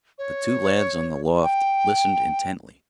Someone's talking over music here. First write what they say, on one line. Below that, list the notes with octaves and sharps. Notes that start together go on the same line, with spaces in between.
The two lads on the loft listened intently.
C#5
G5